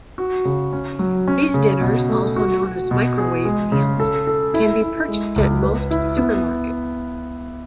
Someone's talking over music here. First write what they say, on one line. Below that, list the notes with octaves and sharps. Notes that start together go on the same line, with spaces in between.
These dinners, also known as microwave meals, can be purchased at most supermarkets.
F#4
C#3
C#4
F#3
C#4
C#3
B2
A3
F#4
F#4
B2
G#4
G#3
C#3
A4
A4
E4
E4
G#3
C#2
B4
E4
B3